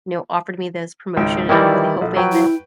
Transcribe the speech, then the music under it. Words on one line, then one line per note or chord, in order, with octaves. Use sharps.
you know, offered me this promotion, and I'm really hoping that,
G#1 C#2 G5
D#3 E3 G3 E4 D5
A#1 A4
F#3 B4 G5
E4